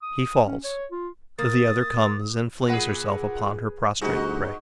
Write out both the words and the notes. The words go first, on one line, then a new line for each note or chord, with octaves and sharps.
He falls; the other comes and flings herself upon her prostrate prey.
D#6
C#4
C#5
F4
A#3 D#6 A6
A#2 G#4 B4 F#5 A#6
D2 G#2 G3 D#4 F#4